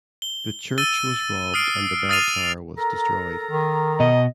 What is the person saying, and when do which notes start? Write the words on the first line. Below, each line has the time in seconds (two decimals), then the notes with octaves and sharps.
The church was robbed and the bell tower was destroyed.
0.22 G7
0.78 E6 A6 D#7 G7
1.54 D#6 F6 C7 D7
2.09 D#6 F6 A6 C7 D#7 F7
2.77 A4 A#4 A#5
3.51 D#3
4.00 B2 D#5